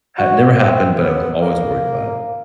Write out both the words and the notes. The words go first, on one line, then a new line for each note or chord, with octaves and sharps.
ha never happened, but I was always worried about it.
F#4
C4
B3
A#3